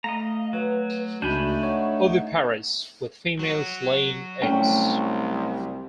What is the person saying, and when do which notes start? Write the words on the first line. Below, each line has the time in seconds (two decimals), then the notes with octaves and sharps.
Oviparous, with females laying eggs.
0.04 A3 D#5 F5 A#5
0.53 F#3 B4
1.22 C#2 A3 D4 D#4 F#4 G#5 B5 G6
1.63 C#5 F#5
3.39 F#3 F#4
4.42 C2 A3 C#4 A4 G5